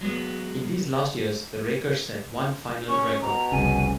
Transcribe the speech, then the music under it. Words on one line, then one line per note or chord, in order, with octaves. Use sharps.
In these last years, the Rakers set one final record.
F#3 G#3 B3
C#4 C#6
B2 A#5
F1 C2 C#3 G#5